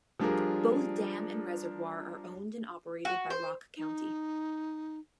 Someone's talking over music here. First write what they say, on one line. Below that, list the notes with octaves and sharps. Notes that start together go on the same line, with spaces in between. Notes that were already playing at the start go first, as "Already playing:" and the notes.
Both dam and reservoir are owned and operated by Rock County.
F3 G3 D4 F4 G#4 A#4
F#4
C5
D#4